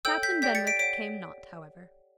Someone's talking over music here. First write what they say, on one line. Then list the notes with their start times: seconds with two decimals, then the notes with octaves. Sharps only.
Captain Benwick came not, however.
0.05 A4 C#5 G5 E6 G6
0.23 G6 B6
0.42 G4 D5 G5 G6 B6
0.55 A6 C#7
0.67 B6 D7
0.79 C#5 B6 D7
0.82 F#5